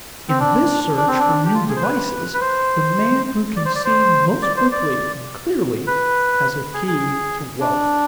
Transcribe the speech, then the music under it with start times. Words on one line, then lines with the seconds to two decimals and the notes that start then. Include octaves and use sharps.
In this search for new devices the man who can see most quickly and clearly has a key to wealth.
0.29 C4
0.39 D4
0.97 D4
1.08 C4
1.19 D4
1.45 G4
1.54 F4
1.69 G#4
1.76 C5
1.83 B4
2.34 B4
2.41 C5
3.56 D5
3.65 C5
3.75 D5
3.85 C5
4.42 D5
4.57 C5
4.72 D5
5.87 B4
6.74 G#4
6.88 G#4
7.60 D4